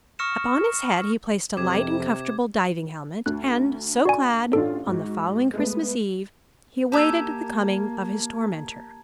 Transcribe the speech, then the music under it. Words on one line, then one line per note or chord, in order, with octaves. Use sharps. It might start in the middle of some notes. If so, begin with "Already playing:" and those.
Upon his head he placed a light and comfortable diving helmet, and so clad, on the following Christmas Eve he awaited the coming of his tormentor.
C#6 D#6 F6 A#6 C#7 E7
F2 C3 D6 G#6
D2 F#6
F#4 D5 G#5
A1 D4 F4 A4
G#2 F#4
G#3 A3 B3
A#3 G4 E5 A5 A#5 G#6